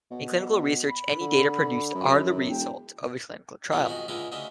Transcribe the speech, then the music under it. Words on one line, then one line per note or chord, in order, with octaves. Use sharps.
In clinical research any data produced are the result of a clinical trial.
B2
B5
D3
F#2
E1 G5
B1 E4 F4 G#4
F2 G#2 D#3 F#4 G#5
C#2 D3 G#3 E4 F4 A#5
D2 C#3 D4 D#5 E5